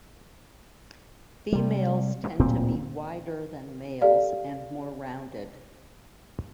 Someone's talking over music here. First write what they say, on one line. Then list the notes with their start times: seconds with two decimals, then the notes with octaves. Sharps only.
Females tend to be wider than males and more rounded.
1.52 C3 G3
2.39 D1 A#2 C4
4.01 G4 A4 D5 F5